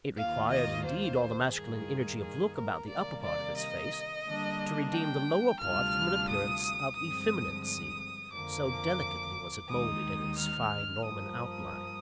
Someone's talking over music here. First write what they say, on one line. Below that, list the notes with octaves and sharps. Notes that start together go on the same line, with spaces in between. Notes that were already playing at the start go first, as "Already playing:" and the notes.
It required, indeed, all the masculine energy of look about the upper part of his face, to redeem the lower part from an appearance of effeminacy, so delicately was it moulded in its fine Norman outline.
D#2 D#3 A#3 F4 F5
D#5
C5
G2 D#3 A#3 G#4
G#4
A#4
C3 D#3 G3 A#3 D5
D5
D#5
D3 G3 A#3 D4
G5
D2 C3 G3 D4 F4 F6
D#6
G2 D3 F3 G#3 C4 D#6
D#6
F2 D3 F3 A#3 D6
D#2 D#3 G#3 D#4 D#6
F6
G2 F3 A#3 D#6